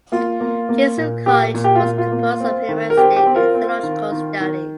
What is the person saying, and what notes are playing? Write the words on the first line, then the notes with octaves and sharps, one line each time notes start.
Jesuit College was composed of humanistic and theological studies.
A#3 F4
A#3
A#3
A#2
A#2 G4
A#2
G4
F4
A#2
F4
A#3
C4
D#3
A#4
C4 G4
G4
C4
F4 A#4
C4
D#3
D#3
D#3